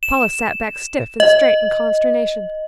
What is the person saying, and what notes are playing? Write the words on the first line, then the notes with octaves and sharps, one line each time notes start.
Paula sat back stiff and straight in consternation.
E7
D#5